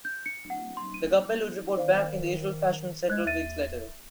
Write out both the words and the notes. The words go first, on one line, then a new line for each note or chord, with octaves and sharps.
The couple would report back in the usual fashion several weeks later.
G6
C#7
F#5
C6
D#7
D#3 C5 D5 F5
G#3 F#6 G#6
D#2 E5 A6 D#7